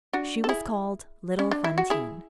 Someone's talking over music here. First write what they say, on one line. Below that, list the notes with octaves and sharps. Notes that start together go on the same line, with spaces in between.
She was called little Fantine.
D4 F#4
A4
E4 G#4
C#4
D4
E4
F#4
E4 G#4